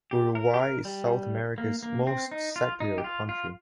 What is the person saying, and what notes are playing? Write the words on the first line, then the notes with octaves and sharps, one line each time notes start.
Uruguay is South America's most secular country.
G4
A#4
G4
A#4
G3
A#3
A#3
C4
D#4
F4
D#4
G4
F4
F4